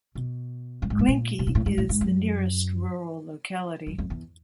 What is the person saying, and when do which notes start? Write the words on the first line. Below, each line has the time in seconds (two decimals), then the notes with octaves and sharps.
Glinki is the nearest rural locality.
0.15 B2
0.82 G2
0.90 G#2
0.99 A2
1.08 A#2
1.39 B2
1.47 A#2
1.55 A2
1.66 G#2
1.78 A2
1.89 G#2
2.01 F#2
3.87 F#2
3.98 F2
4.10 E2